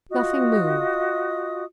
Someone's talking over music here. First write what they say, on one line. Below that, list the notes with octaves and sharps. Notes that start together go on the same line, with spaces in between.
Nothing moved.
F4 F#4 D#5 D#6